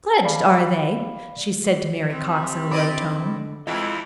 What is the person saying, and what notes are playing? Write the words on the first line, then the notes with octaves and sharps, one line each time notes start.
"Pledged, are they?" she said to Mary Cox, in a low tone.
D5 F5 B5
G3 C4
D3 E4 D5 D#5 B5 D6
F2 E3 G#3 E4 F4 D#5